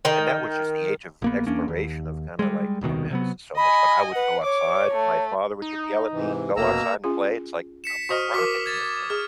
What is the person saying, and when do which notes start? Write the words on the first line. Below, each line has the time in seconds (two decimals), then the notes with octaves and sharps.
and that was just the age of exploration of kinda like, "Oh man, this is so much fun." I wouldn't go outside, my father would get yell at me, "Go outside and play." it's like, "I'm I'm rocking here, man."
0.05 D#3 G5
1.22 A#1 A#3 B3
1.47 E2 A#3 C#4 D4
1.68 D#2
2.39 G3 G#3
2.81 D#1 C2 B2 D#3
3.11 C3 F#3 B3
3.57 D#5 G#5 B5
4.15 B4 F#5
4.44 C#5 D6
4.92 A3
5.62 D#4
6.12 G#2 C3 E3
6.56 F1 F#2 B2 A#3 A#5 E6
7.04 C#4 F4 G#4
7.84 B6 C#7 E7
8.09 F#4 C5 D#5 C#6 D#6 F6
8.34 F#4 A#4 D6 B6
8.66 G#6 A6
9.10 G#4 F6